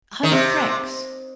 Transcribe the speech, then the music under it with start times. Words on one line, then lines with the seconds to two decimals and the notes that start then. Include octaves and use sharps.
"A hundred francs."
0.23 D#3
0.32 C3